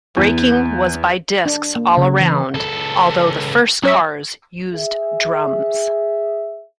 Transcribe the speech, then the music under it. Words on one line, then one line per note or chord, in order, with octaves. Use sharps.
Braking was by discs all around, although the first cars used drums.
E2
D4
A#3
C#3
E3
C#2 A4
F#3 C#4 C#5 E5
G#4 E5